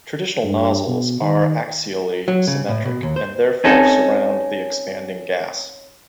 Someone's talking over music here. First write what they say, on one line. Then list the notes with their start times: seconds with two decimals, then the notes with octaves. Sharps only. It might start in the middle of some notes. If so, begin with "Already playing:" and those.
Traditional nozzles are axially symmetric, and therefore surround the expanding gas.
0.44 G2
0.87 B2
1.21 D#3
2.28 F#3
2.47 C#3
2.69 A2
2.85 B2
3.03 D#2
3.16 C5
3.64 C4 C#4 D#4 A4